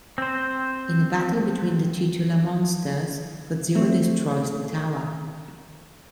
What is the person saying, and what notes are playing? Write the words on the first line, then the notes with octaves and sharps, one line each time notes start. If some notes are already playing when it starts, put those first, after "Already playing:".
In a battle between the titular monsters, Godzilla destroys the tower.
C4 C5
A3 C4